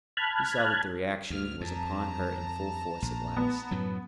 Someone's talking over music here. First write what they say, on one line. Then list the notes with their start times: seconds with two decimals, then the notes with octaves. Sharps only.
He saw that the reaction was upon her in full force at last.
0.17 A5 B5 F6 F#6 G#6
1.30 D2 F6
1.61 F2 A5 A#5
3.02 A#1
3.37 B3
3.71 F#2 A2 F#3